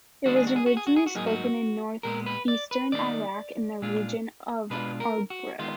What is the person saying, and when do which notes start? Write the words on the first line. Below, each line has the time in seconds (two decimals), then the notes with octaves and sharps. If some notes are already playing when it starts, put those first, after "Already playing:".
It was originally spoken in northeastern Iraq, in the region of Arbil.
0.26 D#3 G#3 D4 F#4
0.36 G#4
0.47 F#4
0.56 G#4
0.66 F#4
0.77 G#4
0.87 F#4
0.96 G#4
1.06 F#4
1.15 G#2 F#3 A#3 D#4 G#4
1.27 F#4
2.03 A#2 G#3 B3 A#4
2.26 B4
2.48 D5
2.71 B4
2.92 D#3 A#3 D#4 D5
3.82 A#2 G#3 D4 F4
4.70 B2 G#3 D4 F4 B4
5.00 A#4
5.30 F#4
5.59 D#3 G#3 B3 F4